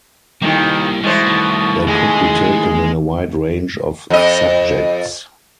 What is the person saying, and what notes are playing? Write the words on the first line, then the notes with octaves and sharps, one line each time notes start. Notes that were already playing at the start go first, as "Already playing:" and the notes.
They could be taken in a wide range of subjects.
F2 D#3 G3 A#3 E4 G4
B2 E3 G#3 C5
D#3 A3
G#3 E4 G#5
F2 D#5